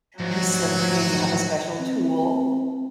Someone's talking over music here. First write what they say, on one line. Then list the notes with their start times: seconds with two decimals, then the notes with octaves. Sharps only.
they're slippery and you have a special tool.
0.20 D2 G#2 F3 F#3 F#4
1.79 C4